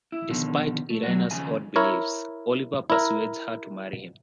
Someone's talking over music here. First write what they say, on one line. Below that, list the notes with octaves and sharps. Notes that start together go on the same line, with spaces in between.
Despite Irena's odd beliefs, Oliver persuades her to marry him.
E4
B2 D3 D#3 F3
A3
F#3 A3 F4 F#4
D#2 C#3 F3 G#4 G#5
E4 A#4 C#5
E4 A#4